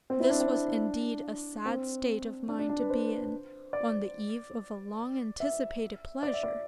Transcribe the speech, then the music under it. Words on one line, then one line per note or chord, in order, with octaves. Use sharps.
This was indeed a sad state of mind to be in on the eve of a long-anticipated pleasure!
C4
E4
D4
C4
C4
D4
C4
D4
D4
D4
B4
C5
D5
E5
D5
E5
D5